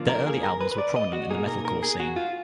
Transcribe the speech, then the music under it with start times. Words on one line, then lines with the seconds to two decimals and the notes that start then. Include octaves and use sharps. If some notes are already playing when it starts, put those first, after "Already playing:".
Their early albums were prominent in the metalcore scene.
Already playing: D3 F3 A#3 F4
0.09 A#4
0.27 G#4
0.43 A#4
0.61 B4
0.72 B4
0.78 D5
0.96 D#5
1.13 F#4
1.30 B2 A#3 D#4 G#4
1.48 A#4
1.65 A#4
1.83 G#4
2.00 F#4
2.16 F4